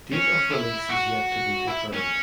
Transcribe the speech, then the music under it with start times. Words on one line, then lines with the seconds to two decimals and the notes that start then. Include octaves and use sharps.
Date of release is yet to be confirmed.
0.12 C#4
0.51 E4
0.89 F#4
1.67 E4
1.93 C#4